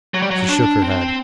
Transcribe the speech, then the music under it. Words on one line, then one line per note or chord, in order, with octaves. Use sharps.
She shook her head.
F#3
G3
F#3
D4
C4